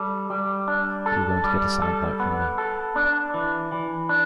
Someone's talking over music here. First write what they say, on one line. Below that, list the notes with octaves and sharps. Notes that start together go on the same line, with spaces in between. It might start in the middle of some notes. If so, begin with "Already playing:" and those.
You won’t get a soundbite from me.
Already playing: G3 A4
G3
D4
A4
G3
A4
B3
A4
D4
E3
E3
D4